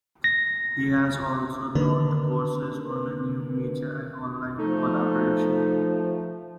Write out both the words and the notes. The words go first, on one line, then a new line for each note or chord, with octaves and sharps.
He has also taught courses on new media and online collaboration.
A#6
D3 D#3 A#3 D4 A#4 B4
F3 A3 D#4